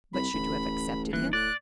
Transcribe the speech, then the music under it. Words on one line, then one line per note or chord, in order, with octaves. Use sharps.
"But should you have accepted him?"
C2 B5
D1 A1
D#1 E3 F#6
A2 D5 F#6